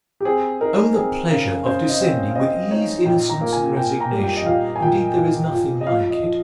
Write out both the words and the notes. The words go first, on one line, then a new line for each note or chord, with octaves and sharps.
O the pleasure of descending with ease, innocence, and resignation!--Indeed, there is nothing like it!
G4
C4 G#4
D#4 A#4
C4 G#4
C#3 A#4
C#3 C5
D#5
C4 C#5
F5
C4 D#5
D#4 C#5
A#2 G5
A#5
A#3
G#5
A#2 G5
A#5
G3
G5
D#5
A#2 F5
G#5
A#2 G5
A#2
A#2
D#5
F3 F5
D#5
F3